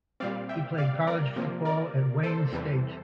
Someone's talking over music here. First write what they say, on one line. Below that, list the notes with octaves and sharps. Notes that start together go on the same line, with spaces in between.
He played college football at Wayne State.
A#2 G3 C4 D5 F5
E5 G5
D5 F5
A#4 D5
C3 F3 A#3
A#4 D5
A4 C5
E2 C3 E3 G3